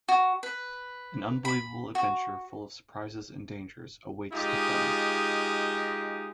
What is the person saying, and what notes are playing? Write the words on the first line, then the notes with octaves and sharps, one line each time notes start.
An unbelievable adventure full of surprises and dangers awaits the friends.
F#4
B4
B5
F#4
G#3 D#4 F4 G4